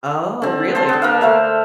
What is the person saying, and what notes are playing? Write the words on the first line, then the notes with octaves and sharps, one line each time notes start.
Oh, really?
D3 C4
C5 A5 C6
B3 D4
A#3 B4 F5
A3 C5 E5 F5